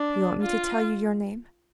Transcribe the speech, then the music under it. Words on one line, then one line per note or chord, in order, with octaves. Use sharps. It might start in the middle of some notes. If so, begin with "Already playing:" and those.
Do you want me to tell you your name?
Already playing: D4
F4